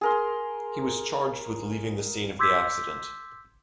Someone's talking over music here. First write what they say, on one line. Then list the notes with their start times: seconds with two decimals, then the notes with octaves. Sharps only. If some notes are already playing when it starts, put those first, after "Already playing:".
He was charged with leaving the scene of the accident.
0.01 G#4 A#4 C6
2.39 C6 D6 E6 G6 G#6 B6